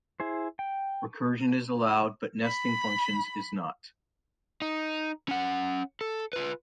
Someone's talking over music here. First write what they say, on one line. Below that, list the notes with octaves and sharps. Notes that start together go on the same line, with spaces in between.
Recursion is allowed, but nesting functions is not.
E4 G#4 C5
G5
B5
D#4
C#4 F#5
A4
F4 B4